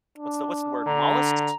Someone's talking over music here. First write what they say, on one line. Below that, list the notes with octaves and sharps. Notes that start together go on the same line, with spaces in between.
what's the what's the word- mollusks?
D4
D3 A#5